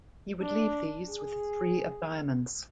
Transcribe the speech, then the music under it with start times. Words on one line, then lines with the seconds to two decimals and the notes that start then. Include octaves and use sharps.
He would leave these with the three of diamonds.
0.41 D4
1.09 G#4